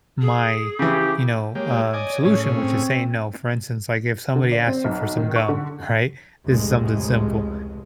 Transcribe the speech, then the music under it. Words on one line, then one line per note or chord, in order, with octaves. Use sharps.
"my," you know, um, "solution," which is saying no. For instance, like, if somebody asked you for some gum, right? This is something simple,
G#4
C#3 E3 G4
G#3 A#3 G4 C#5
D5 D#5 G#5
A2 C#4 G#4
C4
D3
D5
C4
B1
D#3
C#6
D3
F1 C#2 A2 G#3